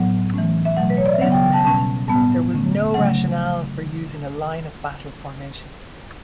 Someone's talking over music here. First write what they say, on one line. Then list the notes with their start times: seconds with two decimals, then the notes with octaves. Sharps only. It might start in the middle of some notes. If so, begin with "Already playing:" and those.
This meant there was no rationale for using a line-of-battle formation.
Already playing: A2 F#3 B3 F#5
0.34 E3 A3 C#4
0.65 E5
0.77 B2 F#3 A3 F#5
0.90 B4
0.97 C#5
1.06 D5
1.13 E5
1.21 C#3 F#3 B3 F#5
1.32 G5
1.42 G5
1.53 A5
1.64 B2 G3 C#4 A5
2.07 A2 G3 B3 A5
2.51 D3 A3 C#4
2.94 C#3 F#3 A3 C#4 F#5